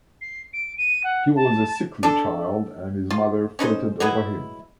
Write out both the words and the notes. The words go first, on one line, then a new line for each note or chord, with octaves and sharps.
He was a sickly child, and his mother fretted over him.
C7
D7
D#7
F#5
A5
D4 A4
F4
C#4 D#4 B4 C5
F#3 G#3 B3 E4